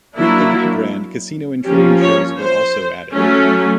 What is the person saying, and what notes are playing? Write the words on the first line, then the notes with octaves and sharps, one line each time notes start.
With the rebrand, casino and trading shows were also added.
F#3 A#3 D4 E4
F3 A#3 C#4 G4
C#5
C5
F#3 A3 C#4